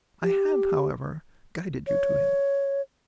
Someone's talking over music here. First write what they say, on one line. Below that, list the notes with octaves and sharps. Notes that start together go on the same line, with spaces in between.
I have, however, guided you to him.
G4
C#5